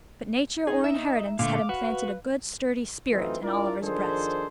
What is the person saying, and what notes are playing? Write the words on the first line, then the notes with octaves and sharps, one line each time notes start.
But nature or inheritance had implanted a good sturdy spirit in Oliver's breast.
D#4 G#4
E5
A#2 D3 A3 F5 D6
F#4 B4
E3 F#3 A3 C4 D#4 F4
D4 E4 F4 A#4 D5
D#3 F3 D4 G#4 A4 C5